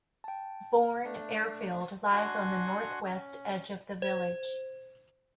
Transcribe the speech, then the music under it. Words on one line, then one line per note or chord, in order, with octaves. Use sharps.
Bourn Airfield lies on the north-west edge of the village.
G5 A5
A3 D4
D4 F#4 F#5 G#5 C6 C#6
C#4
C5